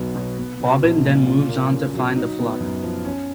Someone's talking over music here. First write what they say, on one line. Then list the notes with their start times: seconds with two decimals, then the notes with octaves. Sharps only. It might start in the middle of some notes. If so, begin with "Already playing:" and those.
Bobbin then moves on to find the flock.
Already playing: B1 F#3 B3
0.15 B2
0.38 B3
0.60 F#3
0.82 A#1
1.04 A#2
1.27 F4
1.49 A#3
1.71 C#3
1.94 F#3
2.16 D#4
2.38 B3
2.61 F#2
2.83 F3
3.05 C#4